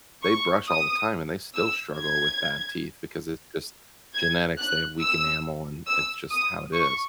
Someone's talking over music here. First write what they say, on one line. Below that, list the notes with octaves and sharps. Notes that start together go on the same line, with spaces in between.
they brush all the time and they still struggle with bad teeth because it's just genetics. They have weak enamel and it's just how it is,
C#6
D#6
E6
G#6
G#6
F#6
E6
E6
D#6
C#6